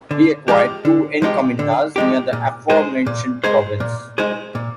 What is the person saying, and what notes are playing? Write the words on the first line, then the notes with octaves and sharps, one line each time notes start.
He acquired two encomiendas near the aforementioned province.
D3
F3 G#3 D#4 G4
D3
F3 G#3 D#4 G4
D3
F3 G#3 D#4 G4
A#2
G#3 D#4 G#4 C5
A#2
G#3 D#4 G#4 C5
A#2
G#3 D#4 G#4 C5
A#2